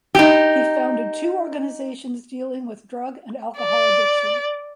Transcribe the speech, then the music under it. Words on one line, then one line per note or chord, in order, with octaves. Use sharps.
He founded two organizations dealing with drug and alcohol addiction.
D#4 G4
D5